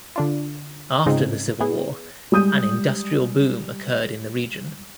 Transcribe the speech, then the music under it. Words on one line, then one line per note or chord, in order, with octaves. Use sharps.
After the Civil War, an industrial boom occurred in the region.
D3 D4 F4
G#2 C#3 C4 D#4 F4 G#4
B3 E4 G#4
G3 G#3 D#6 G6 D#7